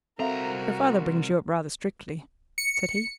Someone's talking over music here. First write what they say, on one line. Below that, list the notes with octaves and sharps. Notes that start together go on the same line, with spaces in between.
"Your father brings you up rather strictly?" said he.
C2 C4 F#4 A4 A#4 E5 F5 A#5
C#7